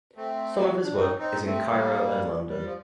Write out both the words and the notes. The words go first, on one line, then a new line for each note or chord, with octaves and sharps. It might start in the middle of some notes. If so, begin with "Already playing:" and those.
Some of his work is in Cairo and London.
A3 C4
D4
C4 D#4
C4 D#4
A3 C4
G3 A#3
G3
F3